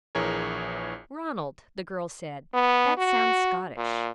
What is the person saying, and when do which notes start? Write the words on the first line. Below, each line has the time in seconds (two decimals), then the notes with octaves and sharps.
"Ronald," the girl said, "that sounds Scottish."
0.15 A#1 E3 G#4 A#4 C#5
2.54 B3
2.97 F#4
3.77 A#2